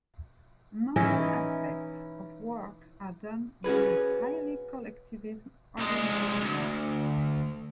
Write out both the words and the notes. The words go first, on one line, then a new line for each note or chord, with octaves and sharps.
Most aspects of work are done with a highly collectivist orientation.
E3 C#4 D#4 E4
C#4 F#4 G#4 B4
C2 G#3
D2